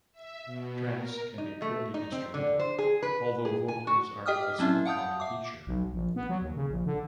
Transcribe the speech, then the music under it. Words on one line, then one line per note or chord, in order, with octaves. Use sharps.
Trance can be purely instrumental, although vocals are also a common feature.
E5
B2
A#4
D#4
A3
D#4
C4
D3
C5
G#4
B4
G#4
G#5
F#4
G4 D#5 G5 D6 D#6 F6
F#3 C4 C#4 E4 E5
F5 F#5 A5 D#6 G6
E5 D6
B1
A#1
B3
F#3
D#2
C#3
A#1
D3